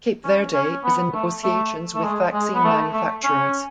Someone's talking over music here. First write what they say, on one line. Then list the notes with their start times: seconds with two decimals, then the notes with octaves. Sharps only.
Cape Verde is in negotiations with vaccine manufacturers.
0.24 C#4
0.54 C#4
0.84 B3
1.14 A3
1.44 A3
1.95 A3
2.04 G#3
2.34 G#3
2.54 B3
2.64 A3
2.93 A3
3.24 C#4